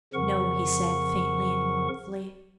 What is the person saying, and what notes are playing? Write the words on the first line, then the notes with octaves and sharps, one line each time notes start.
"No," he said, faintly and mournfully.
F2 C#3 F3 A#4 F#5 C#6